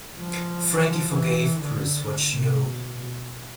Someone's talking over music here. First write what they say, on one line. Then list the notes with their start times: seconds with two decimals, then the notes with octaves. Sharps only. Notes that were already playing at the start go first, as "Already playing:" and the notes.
Frankie forgave Chris what she owed.
0.19 F3
1.11 E3
1.56 D3
2.32 C3
2.63 B2